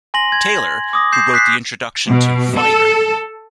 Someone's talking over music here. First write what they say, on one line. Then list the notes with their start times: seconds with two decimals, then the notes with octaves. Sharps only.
Taylor, who wrote the introduction to "Fighter".
0.14 G#5 C6 A#6 F#7
0.32 G#6
0.93 D6 D#6 A#6
1.12 G6 C7 E7
1.34 F#6 B6 C7
2.09 B2
2.56 A4